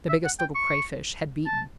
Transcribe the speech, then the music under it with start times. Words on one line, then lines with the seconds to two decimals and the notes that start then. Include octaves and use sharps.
The Biggest Little Crayfish had beaten.
0.09 E5
0.25 F#5
0.40 G5
0.55 C#6
1.47 A5